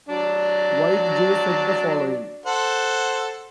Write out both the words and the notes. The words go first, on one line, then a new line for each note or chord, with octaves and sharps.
White J said the following.
F#3 D4 D5
A4 C5 F#5